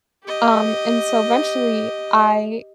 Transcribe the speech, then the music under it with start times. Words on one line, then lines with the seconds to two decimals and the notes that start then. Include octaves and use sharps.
Um, and so eventually, I
0.25 G4 D#5